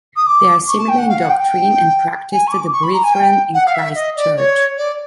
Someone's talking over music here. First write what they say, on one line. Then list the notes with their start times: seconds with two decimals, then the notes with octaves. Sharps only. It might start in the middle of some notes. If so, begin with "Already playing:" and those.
They are similar in doctrine and practice to the "Brethren in Christ Church".
0.16 D#6
0.26 D6
0.68 C#6
0.78 A5
0.89 G5
0.98 F#5
1.09 F5
1.19 F#5
1.29 G5
1.40 G5
2.32 G#5
2.47 C#6
2.52 D6
2.73 C#6
2.83 B5
2.93 A#5
3.03 G#5
3.13 G5
3.54 F#5
3.66 F5
3.75 E5
3.95 D#5
4.16 D5
4.36 C#5
4.77 D5